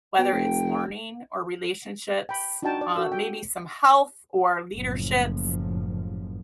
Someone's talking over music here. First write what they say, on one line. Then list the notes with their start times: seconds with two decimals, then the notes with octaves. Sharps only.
whether it's learning or relationships, uh, maybe some health or leaderships,
0.18 B2 G5
0.33 F1
2.29 G5 B5
2.62 D4 D#4 F4 F#4 G5 A5
2.81 D5
2.95 F#4 A4 A#4 E6
3.12 G5
3.23 G4
4.74 F#1 A2 F3